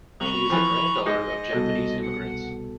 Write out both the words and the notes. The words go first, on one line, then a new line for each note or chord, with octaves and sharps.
She is a granddaughter of Japanese immigrants.
C2 A#5 B5 C#6
E3 F3
G#2 D#5
C2 B2 A4
F#5